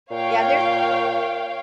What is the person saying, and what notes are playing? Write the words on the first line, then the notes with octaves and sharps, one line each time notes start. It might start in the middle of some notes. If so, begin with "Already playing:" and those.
Yeah, there's
A#2 C#5 F5 G5